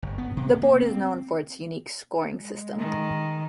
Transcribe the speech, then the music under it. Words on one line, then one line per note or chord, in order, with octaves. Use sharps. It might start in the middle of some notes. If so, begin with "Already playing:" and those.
The Board is known for its unique scoring system.
G1
B3
C3
B3
A#3
C4
G#3
D#3